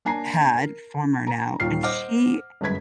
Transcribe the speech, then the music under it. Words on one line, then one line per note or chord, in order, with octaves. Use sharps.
had, former now- and she,
A#3 D4 G#5 A#5 C7
A#4
A#5
D#1 D#2 F4 F6 C7
C5 D#5 F#5 D6 F6
G1 F#2 G#3 B4 G#6 B6